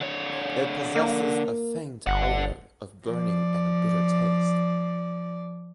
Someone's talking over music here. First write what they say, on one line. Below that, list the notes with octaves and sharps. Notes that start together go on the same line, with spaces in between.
It possesses a faint odor of burning and a bitter taste.
D3 C#5
A#3
G1 D3 F#5
F3 D5